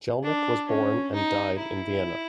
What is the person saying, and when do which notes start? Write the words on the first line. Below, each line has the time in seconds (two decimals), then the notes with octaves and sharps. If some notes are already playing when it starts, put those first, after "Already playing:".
Jelinek was born and died in Vienna.
0.23 D4
0.69 C#4
1.14 D#4
1.59 E4